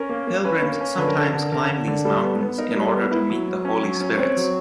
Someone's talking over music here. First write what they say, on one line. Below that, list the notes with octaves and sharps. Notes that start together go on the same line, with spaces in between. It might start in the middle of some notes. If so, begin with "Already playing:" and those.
Pilgrims sometimes climb these mountains in order to meet the holy spirits.
Already playing: C#4 A#4
A#3
A#3
C#4 B4
A#3
A#4
C#4
D3 B4
A#4
D3 A4
A#4
D3
D3 A#4
D3
D3
G3 A4
B3
B3
D#4 A#4
A#4
G3
A4
B3
A#4
E4 B4
F#3
F#3
C#4
F#3
C#4
C4 C#5
F#3